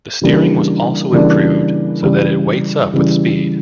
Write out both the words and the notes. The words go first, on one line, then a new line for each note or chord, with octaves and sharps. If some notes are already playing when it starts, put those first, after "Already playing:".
The steering was also improved so that it weights up with speed.
C#3 E3 G3 A#3 D4
C#3 E3 G3 A#3 D4
C#3 E3 G3
C#3 E3 G3